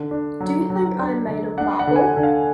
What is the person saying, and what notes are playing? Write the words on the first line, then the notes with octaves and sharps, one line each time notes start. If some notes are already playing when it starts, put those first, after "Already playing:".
Do you think I am made of marble?
Already playing: D3
D4
F#3
F#3
D4
D3
D4 F#5
F#5
D3
G#5
F#5
D3
F5